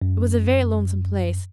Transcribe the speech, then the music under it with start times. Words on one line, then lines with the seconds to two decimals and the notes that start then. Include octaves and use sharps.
It was a very lonesome place.
0.02 F#2